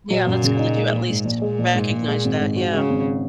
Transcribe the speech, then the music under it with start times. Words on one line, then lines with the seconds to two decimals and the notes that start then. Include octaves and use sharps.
Yeah, that's good that you at least recognize that, yeah.
0.10 A#2 F#3
0.27 F#2
0.43 C#3
0.59 D#4
0.76 G#3
0.93 A#1
1.09 G#2
1.25 A#1
1.42 A#2 G#3
1.59 A#1
1.74 G#2
1.90 A#1
2.08 G#3
2.24 G#1
2.40 G#2
2.57 F#4
2.73 C#3 G#3
2.90 G#1